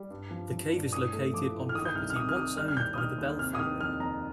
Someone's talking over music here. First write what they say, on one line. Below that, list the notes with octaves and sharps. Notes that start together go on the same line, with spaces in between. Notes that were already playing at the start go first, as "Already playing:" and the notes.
The cave is located on property once owned by the Bell family.
Already playing: G3
G2
F3
F3
G2
A2 D#6
A3
F3 D6
A2
F6
D#3 D#6
G6
C2 F6
F6
C3 D#6
F6
D#3 D#6
G3 F6
F6
D#2 G6
D#6
D#3 F6
D#2
C3 F6
D#6
D#3 F6
F2 F6
F2 A#5